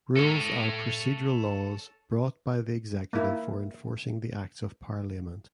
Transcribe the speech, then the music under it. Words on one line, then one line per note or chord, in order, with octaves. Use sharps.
Rules are procedural laws brought by the executive for enforcing the acts of parliament.
A4 C#5
A#3 E4